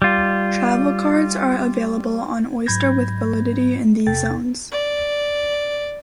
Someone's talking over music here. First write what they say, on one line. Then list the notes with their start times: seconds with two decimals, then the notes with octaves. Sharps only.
Travelcards are available on Oyster with validity in these zones.
0.02 G3 F4
2.66 G#2 F#3 B5 G6 G#6 A#6
4.07 E2 C3 A4 G5 A6
4.72 D5